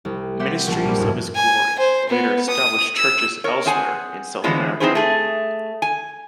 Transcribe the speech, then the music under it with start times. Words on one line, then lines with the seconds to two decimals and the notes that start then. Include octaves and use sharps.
Ministries of His Glory later established churches elsewhere in South America.
0.05 C2
0.39 G3 B3 G4 C5 E5 F#5
0.67 A#1 A5
0.84 A#2 G3 A#3 C4
0.98 F2 G#2 B2
1.35 G#5
1.79 C5
2.09 B3
2.49 D#6
2.96 E6
3.44 A#4 C#5
3.66 C4 G#4 F#5 G#5
4.44 D3 E3 F3 G#3 B3
4.80 C4 D#4 E4 G#4 B4 C5
4.95 A3 G#4
5.82 G#5